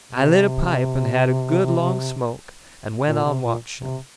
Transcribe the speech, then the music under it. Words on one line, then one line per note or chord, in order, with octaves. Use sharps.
I lit a pipe and had a good long smoke, and went on watching.
C3
A#2
C3
A#2
C3